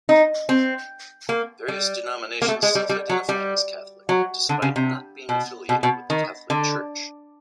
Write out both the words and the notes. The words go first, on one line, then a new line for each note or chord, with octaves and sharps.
Various denominations self-identifying as Catholic, despite not being affiliated with the Catholic Church.
D#4
C4
A#3
G3
A#3
A3
G#3
G3
G3
F#3
G3
F#3
D3
C#3
C3
B2
B2
B2
D#3
D3